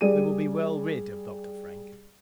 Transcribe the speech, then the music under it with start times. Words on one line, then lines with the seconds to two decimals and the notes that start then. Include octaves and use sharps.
We will be well rid of Dr. Frank.
0.01 G3 G#4 D5 D#7